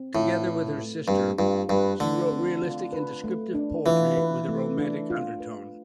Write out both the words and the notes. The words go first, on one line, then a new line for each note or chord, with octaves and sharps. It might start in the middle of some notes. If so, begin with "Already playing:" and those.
Together with her sister, she wrote realistic and descriptive poetry with a romantic undertone.
Already playing: C4
A2 F4
B4
A3
G2 C4
G2 F4
G2 B4
D3 A3
C4
F4
B4
A3
D4
E3 F4
B4
A3
D4
F4
B4